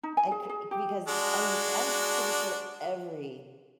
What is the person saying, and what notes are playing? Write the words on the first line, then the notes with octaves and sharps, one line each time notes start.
I c because, t I mean, s I'm pretty sure every
D#4
G#5
G#4
G#4
G4
G#3 D4 F#4